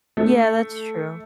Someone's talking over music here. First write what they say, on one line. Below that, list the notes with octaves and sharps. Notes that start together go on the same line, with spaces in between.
Yeah, that's true.
A3